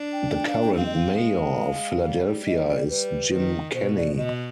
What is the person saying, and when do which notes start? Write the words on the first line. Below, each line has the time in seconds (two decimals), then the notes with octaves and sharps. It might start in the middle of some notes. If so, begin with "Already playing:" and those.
The current Mayor of Philadelphia is Jim Kenney.
Already playing: D4
0.13 G5
0.34 G5
0.48 F5
0.62 G5
0.77 C4 F5
0.86 D#5
0.95 F5
1.20 G#3
1.62 F5
2.04 G3
2.47 D#5
2.68 D5
2.90 G3 B4
3.32 D#3
3.74 B2 C5
3.97 D5
4.18 B2 D#5